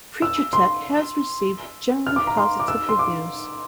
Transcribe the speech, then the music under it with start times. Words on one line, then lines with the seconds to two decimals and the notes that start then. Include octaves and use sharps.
"Creature Tech" has received generally positive reviews.
0.22 E6
0.53 C6
2.07 F6
2.16 D6
2.27 A#5
2.37 C6
2.60 D6
2.68 E6
2.89 C6
2.99 D6